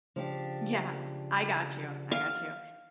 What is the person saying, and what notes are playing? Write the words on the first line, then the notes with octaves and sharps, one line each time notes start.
Yeah. I got you. I got you.
C#3 F3 D4 G4
F5